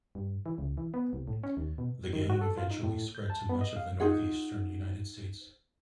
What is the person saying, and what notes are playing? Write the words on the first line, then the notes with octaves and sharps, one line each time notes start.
The gang eventually spread to much of the Northeastern United States.
G2
E3
C#2
E3
B3
C2
A2
C#4
D#2
B2
D#3
F#4
A4
F4
D#4
A2
G6
A5
B3
D#5
F5
D#4 F4 G#4 F#5